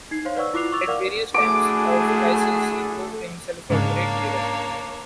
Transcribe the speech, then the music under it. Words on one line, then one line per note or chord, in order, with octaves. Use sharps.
At various times of crisis he proved himself a great leader.
D#4 G#6 C7
C5 C#5 F5 C6
B4 D5 F#5 C#6 E6
E4 F4 D6 F#6 C7 F7
C#6 D6 E6 A6 F7
A#4 D5 F5 F#5 D6 F6
A3 D4 E4 F#4 G#4 A4 D6
G#2 C#3 A#3 D4 C#5